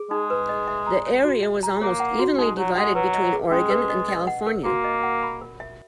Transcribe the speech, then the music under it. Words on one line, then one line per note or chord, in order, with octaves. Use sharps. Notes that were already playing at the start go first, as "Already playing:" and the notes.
The area was almost evenly divided between Oregon and California.
Already playing: G#4
G#3 D#4
B4
D#5
E5
A#5
C#5
F#4
E5
A#5
A#3 C#5
F#5
F#4
G#3 D#4
F#3 C#5
G#3 F#5
F#3 B4
D#5
G#4
G#3 C#4
B4
D#5
D#5
F#5
A#4
A#3 F#4
D#5
F#5
B5
A#4
E5